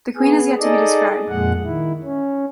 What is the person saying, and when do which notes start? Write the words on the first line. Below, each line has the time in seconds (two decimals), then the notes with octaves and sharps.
The queen has yet to be described.
0.16 B3 G#4
0.60 D#4 G#4 A4 D5 D#5
1.29 F2 A#2 G#3 F#5
1.64 D#3 E4
2.03 C#4